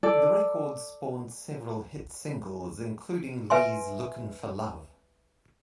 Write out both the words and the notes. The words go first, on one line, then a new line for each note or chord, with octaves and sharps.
The record spawned several hit singles, including Lee's Lookin' for Love.
A4 D5
B4 E5 G#5 C6